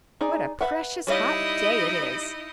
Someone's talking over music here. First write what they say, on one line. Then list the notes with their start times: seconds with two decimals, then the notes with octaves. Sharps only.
"What a precious hot day it is!"
0.21 D#4 G#4 D5
0.61 B4 E5 F#5
1.07 G3 D#4 E4 C#5 D#5 F5